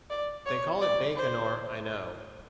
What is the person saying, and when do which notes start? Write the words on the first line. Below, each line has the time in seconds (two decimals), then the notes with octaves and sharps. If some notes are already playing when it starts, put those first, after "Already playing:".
They call it Baykonur, I know.
0.10 D5
0.46 C#5
0.81 D5
1.16 C5